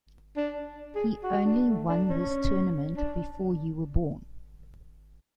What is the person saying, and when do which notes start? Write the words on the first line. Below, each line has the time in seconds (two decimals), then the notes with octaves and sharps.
He only won this tournament before you were born.
0.37 D4
0.95 G#4
1.23 F#4
1.45 D4
1.67 A3
1.89 D4
2.10 C#4
2.97 D4